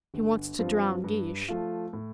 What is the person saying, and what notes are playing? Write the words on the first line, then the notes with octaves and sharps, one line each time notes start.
"He wants to drown Guiche."
G1
G2 F3 C4 F4
G2
F3 A3 F4
A2